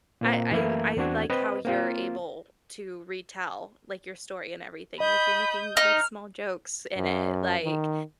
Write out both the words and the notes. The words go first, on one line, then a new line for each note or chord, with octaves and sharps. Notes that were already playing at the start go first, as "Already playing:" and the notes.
I I I like how you're able to retell, like, your story and everything, like you're making, like, small jokes in it, like
A#2 A#3 C4
F#2 E3 A3 A#3 E4 G#6
E2 C4 D4 F#4 G#6
C4 B4 D#5
A#3 C4 F4
D#5 B5 D#6 G6
D#4 F6
F#2
D#3